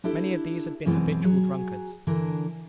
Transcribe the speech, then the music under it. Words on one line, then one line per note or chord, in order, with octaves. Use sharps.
Many of these had been habitual drunkards.
D4 E4 G4 A4
F#2 B2 E3 G#3 C4
F#3 G#4
D3 E3 D4 A#4